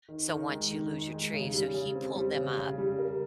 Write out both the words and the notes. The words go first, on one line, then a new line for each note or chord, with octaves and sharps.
So, once you lose your tree so he pulled them up,
D#3
D#3
G#3
D#3
D#3
G#3
C#3
G3
C#3
C4
G3
C#3
C#3
G3
A#4